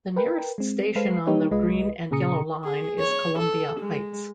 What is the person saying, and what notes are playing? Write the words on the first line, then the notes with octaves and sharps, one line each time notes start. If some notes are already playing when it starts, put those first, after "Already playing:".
The nearest station on the Green and Yellow Line is Columbia Heights.
A#4 B4 G5
G#3 C4
G#3 A4 B4 C5 F5 C7
G3 A#3 D#4 G4 B4 C#5
C2 G#3 F4 B4 D#5
A#2 C#3 G#4 A#5 D#6 C#7
G#4
C#5
A4
G#3